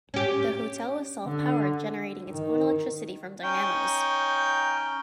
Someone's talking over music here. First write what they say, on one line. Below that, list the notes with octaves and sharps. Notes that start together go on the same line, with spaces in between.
The hotel was self-powered, generating its own electricity from dynamos.
C#4 G4
D3
D#3
C#4 D#4 G5